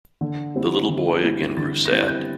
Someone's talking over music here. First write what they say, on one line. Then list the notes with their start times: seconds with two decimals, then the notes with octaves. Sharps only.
The little boy again grew sad.
0.21 D3
0.55 G3 C4 E4
0.89 D3
1.23 G3 C4 E4
1.57 D3 A6
1.86 A#6
1.91 G3 C4 E4 A6
2.01 F#6
2.08 G6